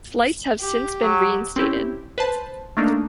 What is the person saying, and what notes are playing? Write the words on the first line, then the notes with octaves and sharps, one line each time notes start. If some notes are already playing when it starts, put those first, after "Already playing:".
Flights have since been re-instated.
G4
F#3
C4 C#4 E4 G4
B4 C5 A5
A3 A#3 D4 D#4